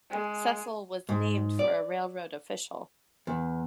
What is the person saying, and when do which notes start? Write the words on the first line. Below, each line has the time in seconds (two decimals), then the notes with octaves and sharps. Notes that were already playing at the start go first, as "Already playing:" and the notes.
Cecil was named for a railroad official.
0.11 G#3
1.09 G#2
1.59 D5
3.27 E2